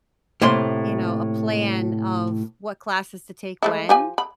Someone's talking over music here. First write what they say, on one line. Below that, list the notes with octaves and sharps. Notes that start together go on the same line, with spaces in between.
you know, a plan of what classes to take when,
A2 C3 A#3 B5 C6
G#3 A3 E4
F3 G4 G#5
B5